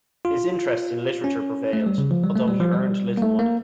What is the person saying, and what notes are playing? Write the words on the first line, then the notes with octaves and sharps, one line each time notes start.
His interest in literature prevailed, although he earned little money.
F4
C#4
A3
G3
C#3
F3
G3
A3
G3
F3
G3
A#3
A3
A#3